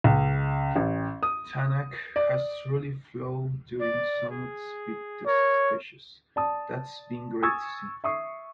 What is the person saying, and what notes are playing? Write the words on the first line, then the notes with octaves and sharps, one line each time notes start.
Tänak has truly flown during some of the speed test stages, that’s been great to see.
C#2
A1
D#6
D5
D5
G#4
A#4 C#5
D5 A5 D#6
G#5 C#6 D#6 E6 G#6 A6
E5 C#6 D#6 C7